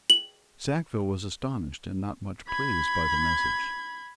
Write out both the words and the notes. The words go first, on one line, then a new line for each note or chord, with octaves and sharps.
Sackville was astonished and not much pleased by the message.
F#7
B5 G#6